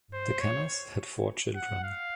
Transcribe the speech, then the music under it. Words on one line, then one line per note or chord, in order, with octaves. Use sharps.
The Kennas had four children.
C5
C#5
F#5
F5